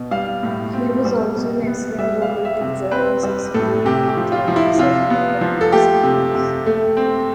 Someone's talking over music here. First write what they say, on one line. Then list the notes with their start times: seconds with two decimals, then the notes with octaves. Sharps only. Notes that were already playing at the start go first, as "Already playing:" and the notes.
He was also an excellent vocal teacher and succeeded in training several prominent singers.
Already playing: B2
0.11 G3 F5
0.43 A2
0.73 C4
1.05 G3
1.36 B2
1.67 B3
1.98 G3 E5
2.22 F5
2.29 G3
2.45 E5
2.61 C3
2.91 C4 B4
3.23 G3
3.54 A2 A4
3.85 C3 G4
4.09 G4
4.17 F3
4.32 F4
4.48 F3
4.56 E4
4.78 C3 F4
5.10 B3
5.41 F3
5.61 A4
5.72 A3 G4
6.03 C3
6.35 C3
6.66 A3
6.97 C4